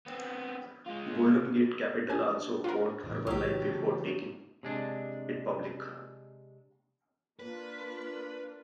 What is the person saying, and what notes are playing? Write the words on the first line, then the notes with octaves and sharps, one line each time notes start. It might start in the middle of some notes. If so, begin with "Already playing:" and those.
Golden Gate Capital also owned Herbalife before taking it public.
B3 C4
G#3 F4
D4 G#5
F4 F#4 A#4
A2 C#3 E3
B1 F#3 G4
C#3 E3 A3
C3 G#3 D4
A#3 D4 F4 B4